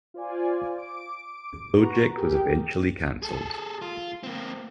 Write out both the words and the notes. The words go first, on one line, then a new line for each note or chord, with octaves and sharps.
The project was eventually cancelled.
F4 C5 D5 G#5
D6 D7
F#4 B4 A#5 C#6
G4 G#4 A#4 G5
G#4 A4
F4
A#3 C4